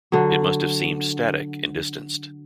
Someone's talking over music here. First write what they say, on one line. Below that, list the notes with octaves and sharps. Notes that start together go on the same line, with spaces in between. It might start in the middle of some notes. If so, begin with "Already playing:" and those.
It must have seemed static and distanced.
D3 F#3